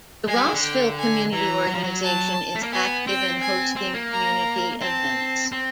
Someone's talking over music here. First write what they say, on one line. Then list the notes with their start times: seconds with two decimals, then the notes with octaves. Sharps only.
The Rossville Community Organization is active in hosting community events.
0.27 G#3 G#5
0.36 G3
0.45 D#3
0.54 D3
0.62 G5
0.97 G#5
1.32 E3 A#5
1.67 F#3
1.75 F3
1.84 F#3
2.02 A5
2.55 A3
2.63 A#3
2.72 B3 G#5
3.07 C4 G5
3.42 G#5
3.76 C4
3.94 A#3
4.12 A#5
4.81 C4 A5
5.52 C4